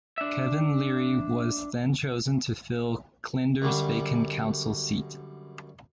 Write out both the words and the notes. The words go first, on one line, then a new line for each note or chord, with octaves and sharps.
Kevin Leary was then chosen to fill Klinder's vacant council seat.
D4 E5
F#2 D3 G3